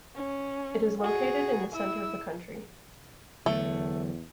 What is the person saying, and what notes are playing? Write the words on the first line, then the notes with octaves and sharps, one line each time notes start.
It is located in the center of the country.
C#4
F#4 G#4
E4 E6
E2 D3 F#3 A3